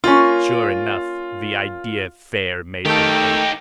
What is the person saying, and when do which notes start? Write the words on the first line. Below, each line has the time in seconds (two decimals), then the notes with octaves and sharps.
Sure enough; the idea fair made them ache.
0.04 A#3 C#4 F4
2.85 D#3 A3 D#4 G4 A4 G5